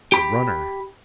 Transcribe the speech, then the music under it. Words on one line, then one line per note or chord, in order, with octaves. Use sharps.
The Runner?...
G4 B5